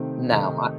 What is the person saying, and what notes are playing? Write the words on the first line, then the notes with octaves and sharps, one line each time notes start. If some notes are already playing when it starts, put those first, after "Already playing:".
No, I
Already playing: C3 D#3 A3 C4 D#4
C3 D#3 A3 C4 D#4